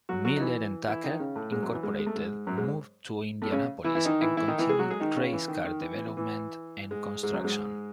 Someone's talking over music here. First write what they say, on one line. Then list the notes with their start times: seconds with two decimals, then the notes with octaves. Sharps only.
Miller and Tucker, Incorporated moved to Indianapolis and continued race car development and construction.
0.09 F#3 F#4
0.25 F#3 F#4
0.37 D#4
0.40 E3 E4
0.88 E3 E4
1.04 D#3 D#4
1.19 C#3 C#4
1.36 A2 A3
1.52 G#2 G#3
1.62 F#2 F#3
1.73 E3
1.83 G#2 G#3
1.99 G#3
2.06 A3
2.15 G#2 G#3
2.47 F#2 F#3
2.57 G#2 G#3
3.42 A2 A3
3.52 C#3 C#4
3.84 E3 E4
3.95 E3 E4
4.05 D#3 D#4
4.21 E3 E4
4.37 E3 E4
4.48 D#3 D#4
4.58 E3 E4
4.69 G#3 G#4
4.79 F#3 F#4
4.90 G#3 G#4
5.00 D#3 D#4
5.16 C#3 C#4
5.32 E3
5.48 D#3
5.64 D#3
5.81 E3
5.95 E3
6.07 E3
6.17 E3
6.91 G#2 G#3
7.23 G#2 G#3
7.33 F#2 F#3
7.44 G#2 G#3